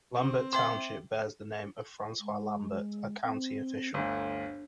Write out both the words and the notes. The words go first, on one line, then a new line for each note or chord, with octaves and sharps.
Lambert Township bears the name of Francois Lambert, a county official.
C4
E5 G5 C6 D6
G#3
C4
G1 D2 D4